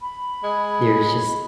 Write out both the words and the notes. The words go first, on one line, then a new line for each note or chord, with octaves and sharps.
There's just
B5
G#3